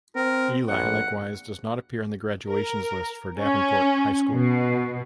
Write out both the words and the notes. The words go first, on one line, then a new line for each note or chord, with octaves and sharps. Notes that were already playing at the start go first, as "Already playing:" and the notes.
Ely likewise does not appear in the graduations lists for Davenport High School.
C4 A#4
A#1 F#5
A#4
C#4
B2